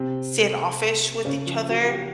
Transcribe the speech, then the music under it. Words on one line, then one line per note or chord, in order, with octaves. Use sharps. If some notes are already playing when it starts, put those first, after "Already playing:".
standoffish with each other,
Already playing: C3 C4
C#3 C#4
F3 F4
F#3 F#4
G4
F#3 F#4